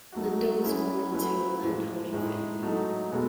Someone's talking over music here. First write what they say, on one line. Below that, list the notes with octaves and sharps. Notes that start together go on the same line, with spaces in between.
Lindo was born into a landholding family.
F#3 A3 D#4 F#4
F#3 C#4 E4 G#4 B4
F#3 A3 E4 B4
A2 E3 G#3
A2 G#3 D#4
F#3 A3 D#4 A4
B2 G#3 B3 F#4 A4